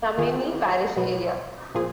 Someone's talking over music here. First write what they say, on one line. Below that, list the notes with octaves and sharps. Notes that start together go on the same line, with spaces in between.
Tammany Parish area.
D#3 A#3 F4 G#4
B2 F#3 B3 F#4
A#2 F3 A#3 F4 G#4